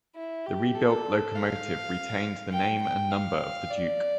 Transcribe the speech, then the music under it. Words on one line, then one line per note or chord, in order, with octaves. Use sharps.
The rebuilt locomotive retained the name and number of the Duke.
E4
G4
A4
F5
G5
G5
F5
D5